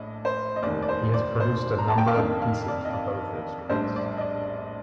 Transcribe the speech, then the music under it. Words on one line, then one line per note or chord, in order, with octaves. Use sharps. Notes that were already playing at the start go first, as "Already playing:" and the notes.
He has produced a number of pieces for both instruments.
Already playing: A#1 A2 D5 D#5
C5
D#5
F1 D#2 D#3 D5
D5
C5
D5
C5
A#5
A5
G5
F5
F2 D#3 A#3 D4 D#5
F5
D5
D#5
D5
A#1 A2 G3 D4 C5
D5
D#5
D5